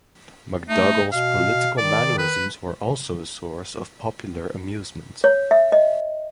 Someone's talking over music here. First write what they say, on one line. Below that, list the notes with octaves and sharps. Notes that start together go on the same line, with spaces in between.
McDougall's political mannerisms were also a source of popular amusement.
A3 D#4
B2 F5
D#3 D5
B4
C#5
E5
D#5